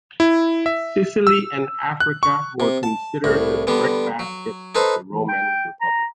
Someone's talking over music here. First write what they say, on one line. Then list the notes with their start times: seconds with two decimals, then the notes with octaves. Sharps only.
Sicily and Africa were considered the breadbaskets of the Roman Republic.
0.20 E4
0.66 E5
1.27 E6
2.00 F#6
2.23 C#6
2.60 C3
2.83 A5
3.24 C2 A2
3.67 D3 G3 B3
4.19 F#3
4.75 D#4 A4 B4 C5
5.11 E3
5.28 G5
5.81 A#5